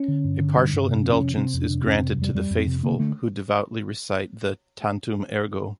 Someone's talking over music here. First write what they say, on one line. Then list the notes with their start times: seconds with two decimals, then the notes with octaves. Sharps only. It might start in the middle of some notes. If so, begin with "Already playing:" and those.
A partial indulgence is granted to the faithful, who devoutly recite the "Tantum Ergo".
Already playing: C#4
0.08 D3
0.24 G2
0.40 D3
0.56 G2
0.73 G2
0.88 C3
1.04 F2 C4
1.13 C#4
1.21 C3
1.37 C3 C4
1.54 F2
1.62 D4
1.69 C3
1.86 F2 C#4
1.99 C4
2.03 C3
2.18 F2 G3
2.34 F2 G3
2.51 F2
2.59 C4
2.67 C3
2.83 D3 A#3
2.99 D3 A3